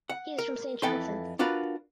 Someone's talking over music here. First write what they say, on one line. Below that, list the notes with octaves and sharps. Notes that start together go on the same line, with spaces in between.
He is from St Johnston.
F#5
A#4
F2 E3 A4 G5 G#5 C6
D4 F4 F#4 A#4 B4